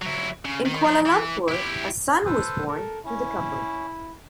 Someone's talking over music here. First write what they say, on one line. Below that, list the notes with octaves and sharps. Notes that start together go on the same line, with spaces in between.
In Kuala Lumpur, a son was born to the couple.
F#3 E4
C#3
D#3
F3 D4
E3
E4 G4
A4 B4 C5
A4 A#4
C#4 E4